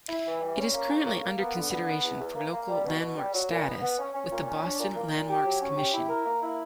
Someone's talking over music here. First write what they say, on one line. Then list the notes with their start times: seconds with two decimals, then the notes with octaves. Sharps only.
It is currently under consideration for local landmark status with the Boston Landmarks Commission.
0.08 E4
0.25 E3
0.41 G3
0.57 C#4
0.74 A#3
0.91 C#3
1.06 A#3
1.23 A#3
1.38 B3
1.55 D3
1.71 B3
1.87 B3
2.03 E2
2.19 E2
2.35 A#3
2.52 A#3
2.68 G3
2.85 B2
3.00 B2
3.17 G3
3.33 F#3
3.50 A#2
3.66 B3
3.82 B3
3.98 C#4
4.14 C#4
4.31 A#2
4.47 C#4
4.63 D4
4.80 A#2
4.96 A#3
5.12 A#2
5.28 G4
5.45 F#3
5.61 C#4
5.77 G4
5.93 E4
6.08 A#4
6.25 A#3
6.42 E4